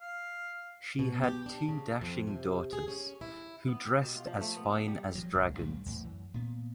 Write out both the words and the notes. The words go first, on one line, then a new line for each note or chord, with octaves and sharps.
She had two dashing daughters, who dressed as fine as dragons.
F5
B2
G4
D4
C#3
F2
C3
G#4
C#4
E4
B3
G4
B2
F4
F3
A3
B3
F#5
G3
F3 F#3
E1 C#2
B1 G2 A3
E2 A2
F#2 E3
A#2 B3